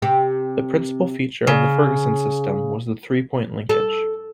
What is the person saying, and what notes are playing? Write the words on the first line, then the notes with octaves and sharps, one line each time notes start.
The principal feature of the Ferguson System was the three-point linkage.
C3 C4 G4
C#3
A4